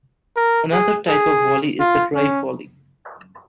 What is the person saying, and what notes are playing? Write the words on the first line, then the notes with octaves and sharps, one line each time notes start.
Another type of volley is the drive volley.
A#4
G#4
G#4
F4
C#4